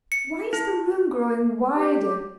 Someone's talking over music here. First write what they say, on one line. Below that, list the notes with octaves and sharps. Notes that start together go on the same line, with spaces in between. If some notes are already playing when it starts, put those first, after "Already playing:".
Why is the room growing wider?...
C#7
E4
G4